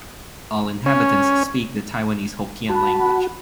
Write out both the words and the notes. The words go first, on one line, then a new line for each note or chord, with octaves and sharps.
All inhabitants speak the Taiwanese Hokkien language.
C#4
F#4 A5 B5